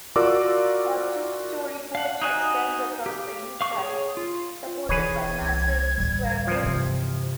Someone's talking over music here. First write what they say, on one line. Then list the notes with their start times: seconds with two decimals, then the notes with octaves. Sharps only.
A two-story porch extends across the east side, supported by massive square posts.
0.16 F4 F#4 A#4 D5 D6 E6
1.95 F5 F#5
2.22 D#4 F#4 G#5 F#6
3.06 G4
3.61 F5 C#6
3.78 G#4 C#5
4.17 F4
4.89 E1 E3 G#4 B4 C#5 G#6
5.41 C2
5.98 A1 D2 G3
6.47 F3 C4
6.63 G2 C3 E3